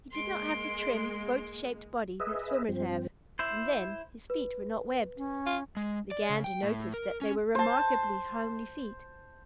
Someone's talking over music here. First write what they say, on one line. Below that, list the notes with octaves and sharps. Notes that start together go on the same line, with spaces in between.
He did not have the trim, boat-shaped body that swimmers have, and then, his feet were not webbed. The Gander noticed that they were remarkably homely feet.
G#3 A#3 C6 D7
G#4 B4 D#5 E5
G2 F3 C4
E4 C5
B4
C#4
F4
G#3
D5
C#3
G5
A2
A#4
C#4
C5 A5